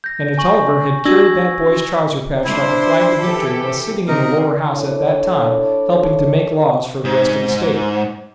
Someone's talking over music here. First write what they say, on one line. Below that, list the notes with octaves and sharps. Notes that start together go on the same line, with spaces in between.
And a Tolliver had carried that boy's trouser-patch like a flag to victory and was sitting in the lower House at that time helping to make laws for the rest of the State.
G6 A#6
G#5 C#6 F#7
D4 F#4 E6 G#6 A#6
D4 E4 C5
E3 G4 A4
C3 D#4 A#4
D4 E4 A4 C#5 D5
G#2